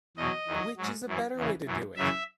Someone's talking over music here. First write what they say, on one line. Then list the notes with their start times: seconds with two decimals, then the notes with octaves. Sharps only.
Which is a better way to do it?
0.17 E2 B2 F#3 D#5
0.47 E2 D#3 F#3
0.77 G#2 F#3
1.07 F#2 E3
1.37 E2 C#3 E3
1.66 F#2 E3
1.96 F#2 C#3 E3 E5